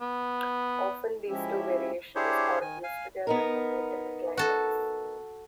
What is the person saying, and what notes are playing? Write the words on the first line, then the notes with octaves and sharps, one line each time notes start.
Often these two variations are used together to heighten a climax.
B3
F3 G#3 C#4 E4 G4 E5
D4 E4 G4 G#4 C5 C#5
D#3 G#5
F5 G#5
B3 D#4 A#4
F#4 A4